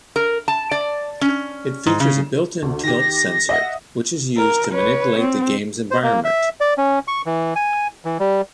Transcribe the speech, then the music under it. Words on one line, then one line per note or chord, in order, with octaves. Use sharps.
It features a built-in tilt sensor, which is used to manipulate the game's environment.
A#4
A5
D5
C#4
G#2
C#3
D2
D#3 G4 A#6
D#5 E5 F#5
A#4
B4 C#5
C4
C5
A#3
E5
D5
C#4
C#6
E3
G#5
E3
G3